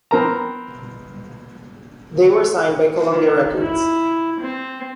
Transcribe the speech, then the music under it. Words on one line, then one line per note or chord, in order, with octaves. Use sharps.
They were signed by Columbia Records.
B3 C4 A#4 A#5
D#3
E4
C4